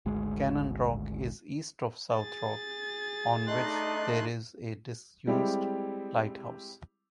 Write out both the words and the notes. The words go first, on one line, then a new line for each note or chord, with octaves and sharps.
Cannon Rock is east of South Rock, on which there is a disused lighthouse.
G#1 D2 G#3
G#4 A6
A3 D4 D#4 D#5 C6 F#6
G3 G#3 C4 E4 G4